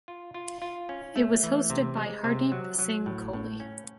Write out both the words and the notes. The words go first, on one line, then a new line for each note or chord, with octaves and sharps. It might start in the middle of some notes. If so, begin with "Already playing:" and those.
It was hosted by Hardeep Singh Kohli.
F4
F4
F4
C#4
A3
E3
C3
G#3
C3
F#3
F#3
A2
A2
C#4